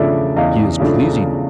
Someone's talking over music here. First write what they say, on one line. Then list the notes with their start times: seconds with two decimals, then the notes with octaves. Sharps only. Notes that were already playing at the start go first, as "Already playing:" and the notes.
He is pleasing.
Already playing: E2 C#3 F3 A3 D4 D5 E5
0.36 E2 D#5 F5
0.80 C#3 F3 A3 D4
1.24 E2